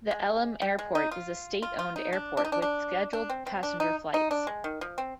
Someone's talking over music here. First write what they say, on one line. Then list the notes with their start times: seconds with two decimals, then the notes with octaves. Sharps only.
The Elim Airport is a state-owned airport with scheduled passenger flights.
0.11 G#3
0.62 G3
0.79 G#3
0.95 D#4
1.11 F4
1.62 F4
1.79 F4
1.96 D#4
2.13 D4
2.37 D4
2.45 D#4
2.52 D4
2.62 D4
3.13 D4
3.30 C4
3.47 C4
3.63 D4
3.80 D#4
4.14 D#4
4.31 D4
4.47 G#3
4.64 D#3
4.81 F3
4.98 C4